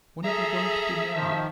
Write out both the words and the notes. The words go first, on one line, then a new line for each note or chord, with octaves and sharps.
When are they going to be married?'
G#4 A4 E5 A#5
D#3 F3